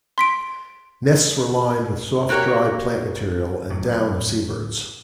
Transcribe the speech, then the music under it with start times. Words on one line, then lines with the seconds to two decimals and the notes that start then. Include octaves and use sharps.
Nests were lined with soft dried plant material and down of seabirds.
0.18 C6 B6 D7
2.29 A#3 F#4 G4 A#4 C#5
3.70 A2 F#3